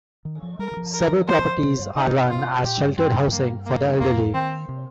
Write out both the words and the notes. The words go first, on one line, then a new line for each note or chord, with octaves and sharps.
Several properties are run as sheltered housing for the elderly.
D#3
F3
G3 A#4
D#3
F3
A#4
C5
C3
G2
C3 D#4
F4
A#2 G4
G2
G2 C4
A#3
A#3
F2 A#3
D#3 C4
C3